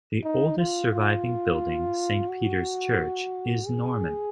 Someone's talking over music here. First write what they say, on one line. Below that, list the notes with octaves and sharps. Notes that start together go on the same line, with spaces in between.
The oldest surviving building, Saint Peter's Church, is Norman.
D#4
F4
F4
F#4
G#4